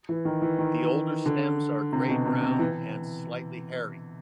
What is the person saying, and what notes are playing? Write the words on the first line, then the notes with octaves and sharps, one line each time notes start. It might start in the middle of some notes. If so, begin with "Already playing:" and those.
The older stems are grey brown and slightly hairy.
E3
D#3
E3
D#3
D3
C3
B2
C3
C3
E3